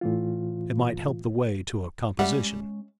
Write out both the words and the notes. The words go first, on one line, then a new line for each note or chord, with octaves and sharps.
"It might help the way to a composition."
A2 E3 F4
G3 G#3 C#4 E5 F#5